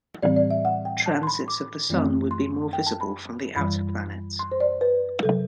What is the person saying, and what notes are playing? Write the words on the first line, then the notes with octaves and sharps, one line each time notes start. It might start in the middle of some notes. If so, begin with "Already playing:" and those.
Transits of the Sun would be more visible from the outer planets.
A2 E3 G3 C4 D5
D5
E5
F#5
G5
A5
C6
B5
D6
F#2 E3 A3 C4
C6
G5
A5
B5
F#2 E3 G3 B5
C6
C5
D5
B4
C3 F#3 A4